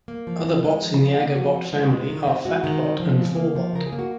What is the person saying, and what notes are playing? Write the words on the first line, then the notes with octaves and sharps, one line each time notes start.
Other bots in the Agobot family are Phatbot and Forbot.
A#3
F3
C4
G#3
F3
C#3
A#3
F3 F#4
C4
G#3
G#3
D#3
C4
G#3 F#4
D#3
C4
F3
C#3
A#3
F3
C#3 A#4
G#4
A#3
F#4